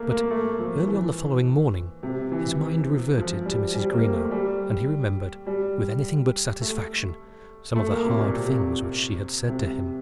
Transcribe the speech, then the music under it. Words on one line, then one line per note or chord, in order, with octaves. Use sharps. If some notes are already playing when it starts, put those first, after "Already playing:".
But early on the following morning his mind reverted to Mrs. Greenow, and he remembered, with anything but satisfaction, some of the hard things which she had said to him.
Already playing: A3 A#3
A#3
A3
F3
E3
C3
E3
F3
G3
G3
A#3
A3
G3
G3
A3
A3
A#3
C3
A#2
C3
C3